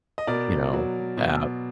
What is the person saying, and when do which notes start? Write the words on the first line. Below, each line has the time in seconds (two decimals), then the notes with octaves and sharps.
you know, um
0.18 D#5
0.27 B2 A#4 D5
0.73 F#3
1.17 B2